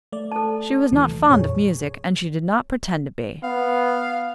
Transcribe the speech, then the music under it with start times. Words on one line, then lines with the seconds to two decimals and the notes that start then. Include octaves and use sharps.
She was not fond of music, and she did not pretend to be.
0.12 A3 D5
0.32 A4 A5
0.92 D#2 C3 E3 F#3 A3
1.30 F2 A#2 G#4 C#5
3.43 B3 F5